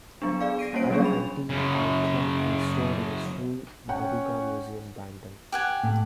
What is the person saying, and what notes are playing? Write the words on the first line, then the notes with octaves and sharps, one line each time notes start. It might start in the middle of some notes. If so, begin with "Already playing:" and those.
Other antique angklung are stored in the Sri Baduga Museum, Bandung.
F#3 B3 D4
G#4 D5 F5
A#6 C7 D7 D#7
G3 A#3 C#4 C5 C#5 D7
F#3 G3 A#3 C#4 D4 G#4
B5 F7
F#2 C#3
C#4 F#5 G5
G4 F#5 G#5
A2